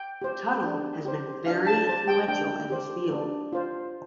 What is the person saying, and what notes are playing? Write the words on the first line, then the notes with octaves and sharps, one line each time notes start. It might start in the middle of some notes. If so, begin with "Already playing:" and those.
Tuttle has been very influential in his field.
Already playing: G5
G4 C5
D4
G4 C5
D4 F5
A5
G4 C5 A5
G5
D4 G5
G4 C5
D4
F4 C5